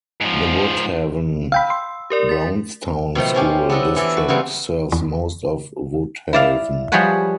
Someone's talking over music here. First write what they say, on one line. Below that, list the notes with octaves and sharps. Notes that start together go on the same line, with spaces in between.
The Woodhaven-Brownstown School District serves most of Woodhaven.
G#2 F3
F5 G5 B5 E6
C6
G4 A#4 D5
A6 B6
B2 D#3 F3 A3
F3 C#4 G4
B3 D4 A4 D#5
E3 A4 D5
F#4
C#3 E3 F#3 G3 B3 C4
E2
E4 D5 F5
F3 G3 G#4 B4 C#5 F#5